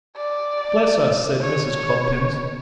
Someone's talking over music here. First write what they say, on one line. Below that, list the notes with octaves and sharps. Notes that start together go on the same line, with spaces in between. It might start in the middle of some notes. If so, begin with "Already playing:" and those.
'Bless us!' said Mrs. Cluppins.
D5
C#5